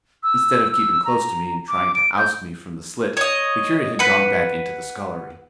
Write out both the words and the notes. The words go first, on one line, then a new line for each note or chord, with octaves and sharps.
Instead of keeping close to me and trying to oust me from the slit, the curate had gone back into the scullery.
E6
E6
A#5
D6
D7
G6
C#5 D#5
B4 F#5